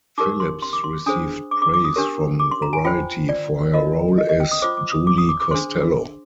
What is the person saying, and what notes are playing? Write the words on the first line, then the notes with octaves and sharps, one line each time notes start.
Phillips received praise from "Variety" for her role as Julie Costello.
D#4 G4 A#4 D6
C6
C6
D6
C6
D4 G#4 C5 D#6
D6
D6
D6
D#6
D4 G4 A#4
D6
C6
A#5
G#5
F4 C5 G5
D5
F4 A#4 D#5
D#5
D#5
G5
D#6
F4 C5 D6
D6
D#6
D6
D#6
D6
D6
D4 G#4 C5 C6